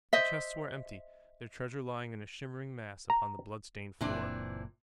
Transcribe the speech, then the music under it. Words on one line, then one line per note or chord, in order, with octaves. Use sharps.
The chests were empty, their treasure lying in a shimmering mass upon the bloodstained floor.
C5 D#5 E5
A#5
F#1 A#2 E3 C4 D4